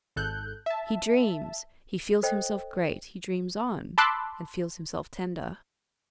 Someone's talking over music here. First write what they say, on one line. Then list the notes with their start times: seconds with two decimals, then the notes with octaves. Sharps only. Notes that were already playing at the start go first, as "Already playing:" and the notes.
He dreams, he feels himself great; he dreams on, and feels himself tender.
0.16 G#1 A4 F#6 G6
0.66 E5 A5
2.23 A4 C5 D#5 G5
3.98 A5 B5 C6 D6 E6 F#6